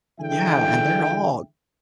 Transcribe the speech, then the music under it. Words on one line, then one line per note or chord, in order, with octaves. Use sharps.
Yeah, and they're all
D3 E3 G#3 E5 G5